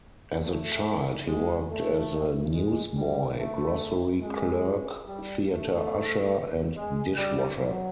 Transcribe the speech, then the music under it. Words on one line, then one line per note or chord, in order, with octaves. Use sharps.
As a child, he worked as a newsboy, grocery clerk, theater usher, and dishwasher.
A3
G#3
A3
G#3
G3
A3
G#3
G3
A3
G#3
G3
F#3